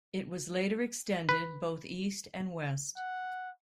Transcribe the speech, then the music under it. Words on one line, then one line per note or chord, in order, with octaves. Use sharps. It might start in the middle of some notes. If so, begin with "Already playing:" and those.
It was later extended both east and west.
B4
F#5